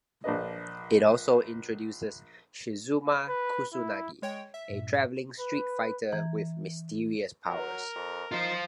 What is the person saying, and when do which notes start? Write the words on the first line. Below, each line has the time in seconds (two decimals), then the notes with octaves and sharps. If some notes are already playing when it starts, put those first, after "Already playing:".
It also introduces Shizuma Kusunagi, a traveling Street Fighter with mysterious powers.
0.24 A#1 D4 B4 D#5
3.28 B4
3.73 E4
4.22 G#3 C#5 G5
4.54 E5
4.70 G2 A#2
5.39 B4
6.12 E3 A#5 G#6
7.48 F#3 A#4
7.96 F2
8.32 D#4 F4 C5